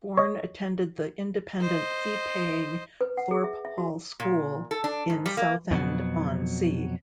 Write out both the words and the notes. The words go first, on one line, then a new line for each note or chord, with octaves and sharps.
Bourne attended the independent fee-paying Thorpe Hall School in Southend-On-Sea.
C#5 D#5
C5 D#5
B4
F#5
G#4
E5
E5
F#4
A#2
A4
D4
G#2
G3
A#3
F2 B2 D3 F#3